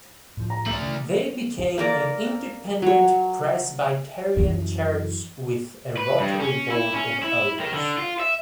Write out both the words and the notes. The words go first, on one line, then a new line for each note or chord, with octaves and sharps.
They became an Independent Presbyterian church with a rotary board of elders.
A2 F3
A#5
A3 D5 F#7
C#3 E3
A#3 A#4 D5
F#3 C#5
F#2 E3
B4
G2
C#4
E4
C#4
E4
D#3
D3
F4
E5